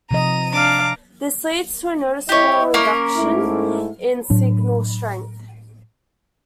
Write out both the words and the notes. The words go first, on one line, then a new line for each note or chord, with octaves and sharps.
This leads to a noticeable reduction in signal strength.
C3 F3 D#5 A#5 D#7
D4 F5 A#5 D6
E4 G4 C#5 D#5
A#3 C#4 A#4
G#2 A3 E4
A2 F#3 D4